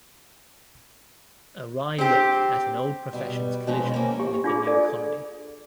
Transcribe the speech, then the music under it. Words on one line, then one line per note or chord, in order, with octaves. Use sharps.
A wry look at an old profession's collision with the new economy.
C4 G4
B2 G3 B3
B2 F3 G#3 C#4 D#4
A#3 C4 C#4
G4
D4 F4 G#4
A4 D5